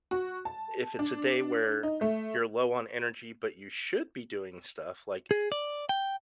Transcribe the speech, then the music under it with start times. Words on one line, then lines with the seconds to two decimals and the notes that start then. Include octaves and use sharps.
if it's a day where you're low on energy, but you should be doing stuff, like,
0.11 F#4
0.45 A5
0.99 D4
1.83 D#4
2.01 A3
5.31 G#4
5.52 D5
5.89 G5